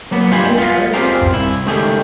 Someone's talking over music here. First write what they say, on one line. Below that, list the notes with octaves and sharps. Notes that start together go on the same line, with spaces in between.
and it hurts.
F#3 A#3 B3
G2 F4 G4 G#5 B5
B3 F4
C4 F4 G4 G#4 A#4
C2 E4
C#2 D#3 A3 G4 G#4